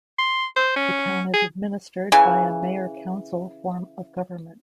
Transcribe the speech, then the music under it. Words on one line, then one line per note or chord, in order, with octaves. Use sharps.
The town is administered by a mayor-council form of government.
C6
C5
C#4
G#4
C#3 E3 G#5